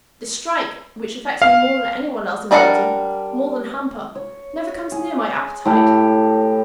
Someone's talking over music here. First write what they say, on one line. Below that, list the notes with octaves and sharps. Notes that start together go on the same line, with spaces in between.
This strike, which affects me more than any one else in Milton,--more than Hamper,--never comes near my appetite.
F5
G3 D4 A#4 E5 F#5
C#5
G#4
A2 E4 G4